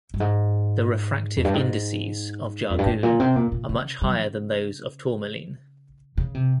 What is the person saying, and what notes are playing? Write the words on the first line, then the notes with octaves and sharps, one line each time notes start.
The refractive indices of jargoon are much higher than those of tourmaline.
G2
G#2
F2
G2
G#2
F2
G2
G#2
A#2
C3
A#2
A#2
C#3
G3
C#3
C#3
C3